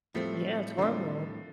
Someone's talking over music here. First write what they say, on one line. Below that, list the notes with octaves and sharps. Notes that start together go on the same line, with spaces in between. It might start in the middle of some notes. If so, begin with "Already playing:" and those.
Yeah, it's horrible.
A2 F3 G3 A3 C4
A2 D3 F3 G3 C4